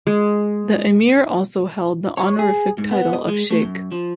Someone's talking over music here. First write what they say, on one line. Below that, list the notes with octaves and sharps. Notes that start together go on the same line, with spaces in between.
The Emir also held the honorific title of sheikh.
G#3
C#5
G#4
G#2
B3
D#5
G#3
A3
F#2
F3